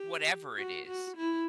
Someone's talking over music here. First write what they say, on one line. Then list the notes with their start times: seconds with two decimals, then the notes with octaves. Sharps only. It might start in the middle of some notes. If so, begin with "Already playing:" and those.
whatever it is.
Already playing: G4
0.57 F#4
0.87 F#4
1.17 E4